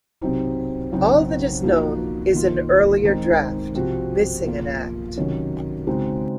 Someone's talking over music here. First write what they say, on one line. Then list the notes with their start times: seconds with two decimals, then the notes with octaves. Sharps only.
All that is known is an earlier draft, missing an act.
0.22 C3 F#3 C4 D#4
0.92 C#3 F#3 C4 D#4 F#4
1.63 F3 A#3 D#4 F#4
2.33 D#3 A#3 F4
3.04 D#3 G#3 C4 D#4
3.75 C3 F3 C4 F#4
4.45 F3 A#3 F4
5.16 C3 D#3 F#3 C#4 F#4
5.87 C#3 G#3 C4 D#4 F#4